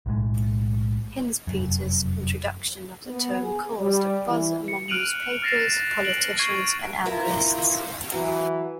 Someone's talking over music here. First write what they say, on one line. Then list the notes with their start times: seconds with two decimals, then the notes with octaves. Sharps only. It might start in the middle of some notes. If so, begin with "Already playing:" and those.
Hinzpeter's introduction of the term caused a buzz among newspapers, politicians and analysts.
0.06 B1 A2 G#3
1.47 F1 F#2
3.07 B3
3.42 G#4
3.81 G3
4.28 E3
4.68 C#7
4.88 F6 F#6 D7 D#7 F7 F#7
5.42 F6 A6 A#6 C7 E7
6.04 D7 F#7
6.39 C#6 G#6 C7 D#7
7.06 E4 F4 A#4 A#5
8.12 E3 F#3